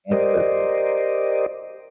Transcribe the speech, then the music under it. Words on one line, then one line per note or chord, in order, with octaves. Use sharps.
and for
G4 A#4 C5 D5 D#5